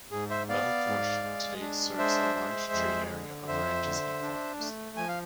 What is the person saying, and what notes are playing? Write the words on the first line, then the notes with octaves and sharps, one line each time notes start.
Belle Fourche today serves a large trade area of ranches and farms.
G#2 G#4
C5 E5
B3 D5 F5
G#2
G#3
D4
G#3 C5 E5
G#3
F2
D3
F2 C5 E5
D3
D4
A3
F3 G#5
F5